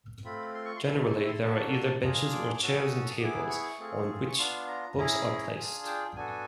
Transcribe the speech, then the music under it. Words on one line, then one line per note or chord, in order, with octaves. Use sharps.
Generally, there are either benches or chairs and tables, on which books are placed.
A3 C4 F4 B5
C6
C#6
C6
A3 C4 E4 A4
C#6
C6
A#3 D4 F#4 A4 A5
A5
D4 F4 G#4 A#5
D6
D6
C#4 F#4 A4 D#6
D#6
B3 E4 G#4 D6
C#6
A3 C4 F4 G#4
C#6
B3 D4 F4 C6
A#5
C#4 E4 G#4 A#5
A#5
D4 F4 G#4 G#5
G5
B3 D4 F#4 A4 G#5